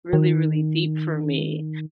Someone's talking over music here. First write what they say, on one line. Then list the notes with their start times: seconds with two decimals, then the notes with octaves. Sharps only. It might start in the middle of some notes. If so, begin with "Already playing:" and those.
really, really deep for me.
0.13 D#3